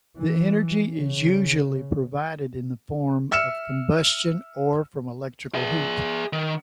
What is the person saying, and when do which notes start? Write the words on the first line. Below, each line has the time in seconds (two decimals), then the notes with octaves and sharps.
The energy is usually provided in the form of combustion or from electrical heat.
0.17 E3
0.95 C#3
3.31 E5 E6 F6 C#7 E7
5.55 G#4 E5
6.33 D#3